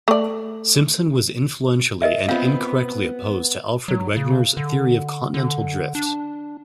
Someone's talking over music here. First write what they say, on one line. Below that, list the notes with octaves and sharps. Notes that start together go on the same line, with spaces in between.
Simpson was influentially, and incorrectly, opposed to Alfred Wegener's theory of continental drift.
A3 D5
A#4 D#5 E5
B3 C4 F4 F5
F#3
C#3
D3
D3
D4